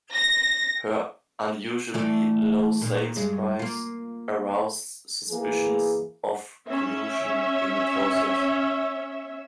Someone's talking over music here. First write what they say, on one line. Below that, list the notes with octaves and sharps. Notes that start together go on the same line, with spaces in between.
Her unusually low sales price aroused suspicions of collusion in the process.
A#6
E3 A3 D5
A#2 D#3 A#3
G2 G#3
A#3 F4
E3 A#3 G#4
C#4 E5